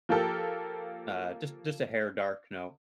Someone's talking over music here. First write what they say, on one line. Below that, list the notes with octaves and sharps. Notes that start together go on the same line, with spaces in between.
uh just just a hair dark no.
F3 A#3 G4 A4 A#4